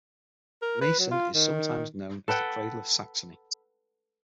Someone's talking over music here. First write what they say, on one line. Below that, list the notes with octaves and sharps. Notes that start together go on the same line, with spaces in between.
Meissen is sometimes known as the "cradle of Saxony".
A#4
B4
F#3
F4
D#3
A4 B4 F#5 G5